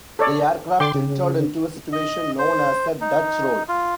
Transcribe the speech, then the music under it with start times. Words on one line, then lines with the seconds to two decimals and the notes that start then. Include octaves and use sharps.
The aircraft entered into a situation known as a Dutch Roll.
0.19 A4 C#5 D5
0.80 D3 G5 C6 D6
0.94 C#3
1.93 D#5
2.38 C5
3.01 D#4
3.68 F4